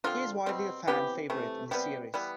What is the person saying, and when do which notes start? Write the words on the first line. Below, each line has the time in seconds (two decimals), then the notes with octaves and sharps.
He is widely a fan favorite in the series.
0.04 D3 F3 C4 F4
0.46 B2 G3 C4
0.87 C3 E3 B3 G4
1.30 C3 E3 A3
1.71 C3 G3 B3 G4
2.14 E3 G3 B3